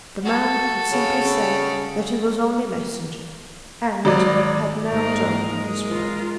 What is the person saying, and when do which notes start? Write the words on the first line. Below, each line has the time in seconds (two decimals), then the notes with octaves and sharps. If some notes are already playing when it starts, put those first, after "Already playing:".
The man could simply say that he was only a messenger, and had now done his work.
0.23 F#4 A4
0.92 C#3
4.05 G#1 F#3 D5
4.91 G#2 A#3 A#4
5.53 G#3
5.87 F4 A#4